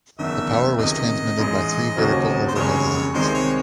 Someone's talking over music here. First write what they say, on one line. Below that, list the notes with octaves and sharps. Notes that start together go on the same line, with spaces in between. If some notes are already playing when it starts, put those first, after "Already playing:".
The power was transmitted by three vertical overhead lines.
F#1 E2 D#3 E5
C#2 C3 D#3 D#5
A1 G#2 E3 G#3
D#2 C#3 F#3 C4
C5
E1 D#2 C#3 G#3 C#4 C#5
C2 C3 D#3 G#3 C4 C5
C#5